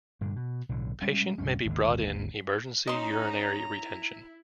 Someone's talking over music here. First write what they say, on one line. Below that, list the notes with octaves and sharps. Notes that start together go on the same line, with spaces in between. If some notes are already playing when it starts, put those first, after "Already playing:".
Patient may be brought in emergency urinary retention.
G2 A#2 D3
B2
B1 A2 D3
G3 G#3 C#4
C2 G2 A#2 C#4
G#1 D#2 D3
C#4 D#4 D#5 A#5 C6
E4